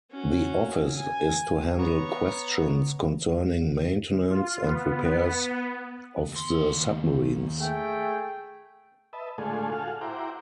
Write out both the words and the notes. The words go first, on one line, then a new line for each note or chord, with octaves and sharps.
The office is to handle questions concerning maintenance and repairs of the submarines.
C#4 F#4
G#5
B3 C#5 A#5 C#6
F4
B3
D#2 C6
A3 G#4 G5
B4 D#5 E5 A5
A2 D3 G#3 A3 F4 G#4
F4 F#4 G#4 A4 F5
E4 F#4 C5 G5 A#5 D6